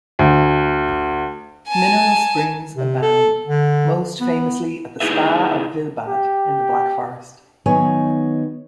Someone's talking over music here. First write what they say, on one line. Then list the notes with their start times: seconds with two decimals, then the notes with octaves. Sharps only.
Mineral springs abound; most famously at the spa of Wildbad, in the Black Forest.
0.19 D2
1.68 G#5 A5
2.76 C3
3.02 A4
3.47 D3
4.20 B3
5.00 D#4 E4 G#4 B4 E5
6.08 G4
7.66 D#3 F#3 B3 D#4 C#5 G#5